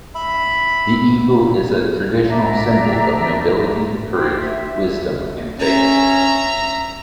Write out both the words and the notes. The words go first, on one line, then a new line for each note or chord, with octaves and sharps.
The eagle is a traditional symbol of nobility, courage, wisdom, and faith.
E5 B5
D4 E5 A#5
G4 C5
E5
C#4 E5 A#5